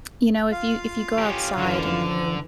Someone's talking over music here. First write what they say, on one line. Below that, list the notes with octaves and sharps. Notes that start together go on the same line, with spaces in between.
you know, if you if you go outside and you
F4 F5
C#4 G4
F#2 D3 E3